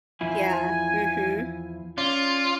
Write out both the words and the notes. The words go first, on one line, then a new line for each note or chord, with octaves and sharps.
Yeah, mhm.
E2 F3 E4 G#5
C#4 F4 D5